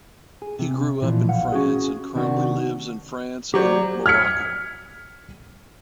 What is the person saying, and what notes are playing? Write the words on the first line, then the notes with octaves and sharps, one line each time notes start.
He grew up in France and currently lives in France and Morocco.
G#4
C3
A#2 E3 F3
B1 F5 F#5
C#4 F#4 G#4
C3 D#3 D4 F#4
F#3 G4 C5 D5
F6 G#6 B6 C#7